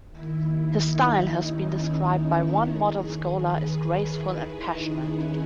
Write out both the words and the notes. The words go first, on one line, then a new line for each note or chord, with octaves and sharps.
His style has been described by one modern scholar as graceful and passionate.
D#2 D#3 E4
D#4
C#4
D#4
E4
D#2 D#3 G#4
B4
G#4
E4
D#4
C#4